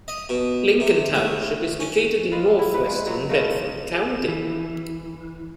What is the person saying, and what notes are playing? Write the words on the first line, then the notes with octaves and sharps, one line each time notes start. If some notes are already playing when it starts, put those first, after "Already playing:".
Lincoln Township is located in northwestern Bedford County.
D#5
B2
C3
A3
C#4
F4 B4 D#5 F5
E4
B4 F#5
F3 G3 G#3
F#3 B3 C#5
C#3 F3 A3 D#5
E3